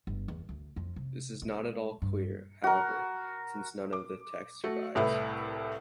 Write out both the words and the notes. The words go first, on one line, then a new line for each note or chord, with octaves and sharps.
This is not at all clear, however, since none of the text survives.
G1
E2
D2
F2
C3
G#3
G2
F#4 A#4
D6
A3 F#4
C2 A2 E4 B4